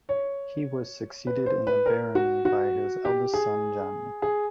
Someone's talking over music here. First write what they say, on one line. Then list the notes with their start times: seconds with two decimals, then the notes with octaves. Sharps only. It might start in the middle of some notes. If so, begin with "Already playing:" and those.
He was succeeded in the barony by his eldest son Johnny.
0.09 C#5
1.27 B4
1.46 C5
1.67 B4
1.86 A#4
2.15 F#4
2.45 F#4
3.05 G4
3.34 G#4
4.22 G#4